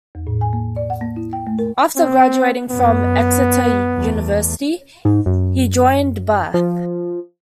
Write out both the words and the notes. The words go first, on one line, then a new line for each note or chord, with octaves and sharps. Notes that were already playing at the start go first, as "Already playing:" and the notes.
After graduating from Exeter University he joined Bath.
E2
A2
G#5
A#3
D5
F#5
A#3
E4
G5
A3
A#4
C4
F#2 B3
E2 A3
G#2
F#2
F3